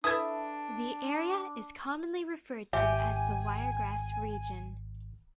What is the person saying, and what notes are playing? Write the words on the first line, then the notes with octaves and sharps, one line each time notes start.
The area is commonly referred to as the Wiregrass Region.
D4 E4 A4 B4 D#6 G#6
G#1 G4 E5 G5 G#5